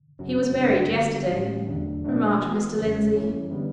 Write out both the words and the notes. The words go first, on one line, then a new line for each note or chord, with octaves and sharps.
"He was buried yesterday," remarked Mr. Lindsey.
F#2 C#3 F#3 C#4 F#4
F#2 C#3 G3 D4
D3 G3 B3 F#4
A2 E3 G3 C#4 G4
E2 D3 F#3 A3 D4
B2 F#3 A3 D4
E3 B3 F#4 A4
E2 C#3 F#3 C#4
F#2 E3 G3 C#4 E4
D3 G3 B3